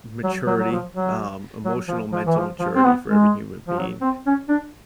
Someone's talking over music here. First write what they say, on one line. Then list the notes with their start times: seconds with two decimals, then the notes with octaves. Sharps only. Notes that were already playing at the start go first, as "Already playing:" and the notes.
maturity, um, emotional mental maturity for every human being,
0.24 F#3
0.47 F#3
0.59 F#3
0.71 F3
0.94 F#3
1.65 F#3
1.88 F3
2.12 F3
2.26 E3
2.36 F3
2.59 F3
2.75 C4
2.83 B3
3.08 G#3
3.68 F3
3.78 F#3
4.01 C4
4.26 C#4
4.49 D4